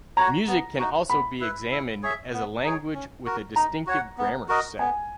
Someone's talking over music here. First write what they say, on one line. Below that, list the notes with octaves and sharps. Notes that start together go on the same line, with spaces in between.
Music can also be examined as a language with a distinctive grammar set.
F#4 C#5 A#5
B3
D#4 F#4
B3 B5
E4 B4
E4
G#4 C#5 E5
B3
D#4 G#4 C#5
C#4
F#4 A#4
D#4 A#5
F#4 C#5 F#5
B3
F#4 A#4 D#5
B3 G#5